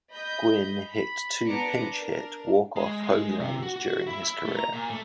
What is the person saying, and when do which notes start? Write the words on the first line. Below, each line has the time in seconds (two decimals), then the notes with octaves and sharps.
Gwynn hit two pinch-hit walk-off home runs during his career.
0.12 D#5 B5 G6
0.91 B5
1.47 B3 D4 B4 A#5 D6 C#7
1.97 D4 A#4
2.76 G#3
3.03 G#3
3.40 C3
3.62 F#4
3.76 F#4
4.07 E4
4.24 E4
4.45 A3
4.57 A#5
4.73 A#2
4.90 A3